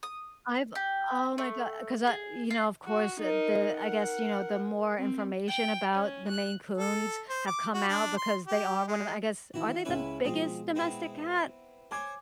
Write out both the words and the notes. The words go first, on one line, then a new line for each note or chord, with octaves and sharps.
I've oh my god, 'cause, a you know, of course, eh, the I guess, you know, the more information about, the Maine Coons, have come out because they are one of the I guess, are they the biggest domestic cat?
D#6
G4
A3
G#4
F4
F#4
D#4 A#4
A#4 F#5
C4
G5
C#4
F#6
A4
C5
D6
F#4
D4
C6
G4
G#3
D#3 E3 E4 F#4
C#2 C#4 E4 B4 C#6
B2 F3 G#3 C4 D#6
B3 C4 E4
C5 C#5 G#5 D6 G#6